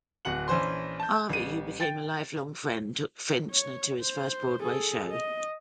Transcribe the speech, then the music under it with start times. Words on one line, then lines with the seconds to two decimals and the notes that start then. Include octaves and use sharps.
Harvey, who became a lifelong friend, took Fichtner to his first Broadway show.
0.25 D1 F#4 F#5 F#7
0.48 A#1 E3 C#4 C5 C6
1.00 A5 G6
1.29 A1 G3 D#7
1.80 G5 A6
3.51 C#5
4.01 C5
4.61 G#4 A4
5.11 D#5